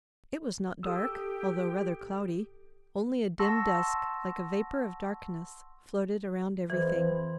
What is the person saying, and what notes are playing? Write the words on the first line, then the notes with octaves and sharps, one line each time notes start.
It was not dark, although rather cloudy; only a dim dusk, like a vapour of darkness, floated around everything.
G4 A4 D#6 E6
F#5 A5 C6 C#6 E6 A#6
F2 E3 B4 C5